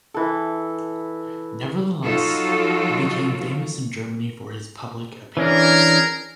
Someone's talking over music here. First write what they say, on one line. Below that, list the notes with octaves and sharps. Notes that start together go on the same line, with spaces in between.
Nevertheless, he became famous in Germany for his public appearance.
E3 A4
F3 F#3 D#4 F4 F#4 A4
E3 C#4 D4 G#4 A#4